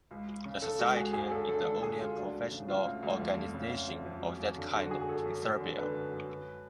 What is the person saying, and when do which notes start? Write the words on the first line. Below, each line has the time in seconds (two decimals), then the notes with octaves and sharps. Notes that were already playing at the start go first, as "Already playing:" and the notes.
The society is the only professional organisation of that kind in Serbia.
0.11 C#2
0.28 C#2
0.45 C#3
0.62 C#3 A4
0.79 C#2 F#4
0.96 C#2 G#4
1.13 F#2 G#4
1.31 F#2 A4
1.48 D3 A4
1.65 D3 A4
1.83 F#2 G#4
2.00 F#2 F4
2.17 D2 D4
2.34 D2
2.51 C#3
2.68 C#3 F4
2.85 D2
3.03 D2
3.20 F2
3.38 F2
3.54 C#3
3.71 C#3
3.88 F2
4.05 F2
4.23 F#2
4.40 F#2
4.58 D3
4.74 D3 F#4
4.91 F#2 G#4
5.01 G#4
5.08 F#2 A4
5.26 F#2
5.42 F#2
5.60 D3
5.77 D3 B4
5.94 F#2
6.12 F#2
6.29 F#2